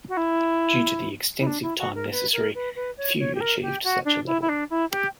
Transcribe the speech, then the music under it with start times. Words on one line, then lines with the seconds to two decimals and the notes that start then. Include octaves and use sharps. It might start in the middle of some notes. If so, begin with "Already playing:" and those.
Due to the extensive time necessary, few achieved such a level.
0.09 F#4
0.17 E4
1.40 E4
1.47 D4
1.63 E4
1.79 F#4
1.95 A#4
2.11 B4
2.33 A#4
2.54 B4
2.76 B4
2.97 C#5
3.19 C#5
3.35 G4
3.41 A#4
3.62 G4
3.84 F#4
4.05 D4
4.27 E4
4.42 E4
4.49 D4
4.70 E4
4.91 G4